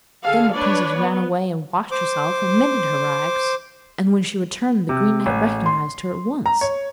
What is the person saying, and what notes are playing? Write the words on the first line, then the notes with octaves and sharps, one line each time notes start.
Then the princess ran away and washed herself and mended her rags, and when she returned the Green Knight recognised her at once.
D3 G#4 A4 F5
D4 B4 C#5 D5
B3
C5 D6
C3
A1
C6
A#5
C#5